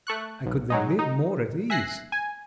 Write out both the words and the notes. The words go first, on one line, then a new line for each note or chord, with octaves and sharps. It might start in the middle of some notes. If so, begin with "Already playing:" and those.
I could then live more at ease.
A3 C#6 F#6
B1
F#3 G#3 D#4
D#4
E5 G#5 F#6 A#6 C7
G#5